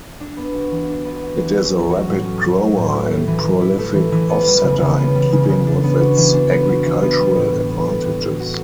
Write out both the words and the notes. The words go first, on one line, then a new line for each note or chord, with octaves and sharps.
It is a rapid grower and prolific offsetter in keeping with its agricultural advantages.
D4
B3
F#4
E3
D4
B3
F#4
E3
C#4
F#3
F#4
A2
C#4
F#3
F#4
A2
E4
A3
E3
E3
E4
A3
E3
E3
B3
G3
C#3
C#3
B3
G3
C#3
C#3
D4
B3
F#4
E3
D4
B3
F#4
E3
B3
G3
A2
A2
B3
G3
A2
A2
F#4